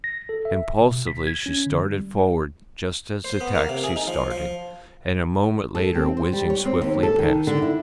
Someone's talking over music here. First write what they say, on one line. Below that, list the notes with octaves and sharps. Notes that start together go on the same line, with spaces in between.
Impulsively she started forward, just as the taxi started and a moment later whizzed swiftly past her.
A#6
A4
E5
B2
B6
G#6
C#4
D3
G3
C5
B3
A#3
C3
G#4
D#4
F3
F3
A4
C4
C5
G3
C#5
C4
D#2
A4
D#3
D3
E4